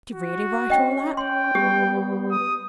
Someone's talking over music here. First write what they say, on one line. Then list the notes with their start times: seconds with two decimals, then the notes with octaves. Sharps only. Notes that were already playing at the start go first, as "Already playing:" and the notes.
Did she really write all that?
0.12 F#4
0.70 C#4 D#5 G5
1.17 G5 C6
1.55 G3 B3 G4
2.31 D#6